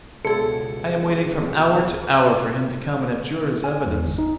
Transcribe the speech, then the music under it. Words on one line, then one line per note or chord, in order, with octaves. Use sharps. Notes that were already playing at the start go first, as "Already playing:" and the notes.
I am waiting from hour to hour for him to come and abjure his evidence.
C#2 B2 G#4 A4 C#7
G#5
E2
G1
D#4